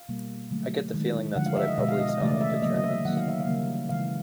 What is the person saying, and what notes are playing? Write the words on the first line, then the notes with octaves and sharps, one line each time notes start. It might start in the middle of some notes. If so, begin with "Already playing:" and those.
I get the feeling that's what I probably sound like to Germans.
Already playing: F5
B2 G3 A#3
D3 F#3 A3
D#3 G#3
D3 F3 G#3 F#5
F5
E5
D#5
B2 G#3 E5
F5
D#5
D#5
C#3 E3 A3 D5
D5
E5
D#5
D3 F#3 A#3 D#5
D#5
E5
D#3 F#3 A#3 F#5
F5
E5
F5
C#3 E3 G3 A#3
C#3 E3 G#3 F5